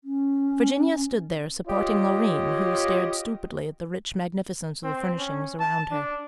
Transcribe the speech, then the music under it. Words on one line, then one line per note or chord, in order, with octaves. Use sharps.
Virginia stood there supporting Loreen, who stared stupidly at the rich magnificence of the furnishings around her.
C#4
F4 G4 C#5 D#5
C4
C#4
A5
D4